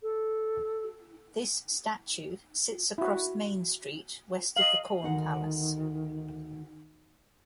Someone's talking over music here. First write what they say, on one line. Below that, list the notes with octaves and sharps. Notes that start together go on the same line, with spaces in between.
This statue sits across Main Street, west of the Corn Palace.
A4
E4 F#4
D#5 F5 F#7
D2 D#3 D#4 F#5